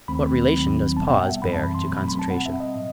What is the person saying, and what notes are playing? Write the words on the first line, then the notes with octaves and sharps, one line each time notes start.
What relation does pause bear to concentration?
D#2 D#3 A3 C4 B5
D#2 D#3 F#3 C4
B2 G3 B3 A5
G5
F#5
E5
F#2 E3 G3 C4 B5
A5
B5
C6
B2 F#3 A3 C4
B5
B5
A5
B2 G3 C4 F#5
E5
D#5
A2 F#3